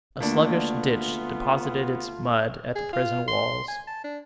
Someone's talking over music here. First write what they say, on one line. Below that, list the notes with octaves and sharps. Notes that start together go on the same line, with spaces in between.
A sluggish ditch deposited its mud at the prison walls.
D2 A#3 B3 D4 F4
G#4
F4
C6
G#5
A5
D4